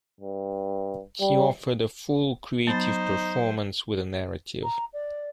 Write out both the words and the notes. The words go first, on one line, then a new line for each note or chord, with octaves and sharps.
He offered a full, creative performance with a narrative.
G2
G3
F#3 B3 D#4 C5 B5 A6
A#5
D5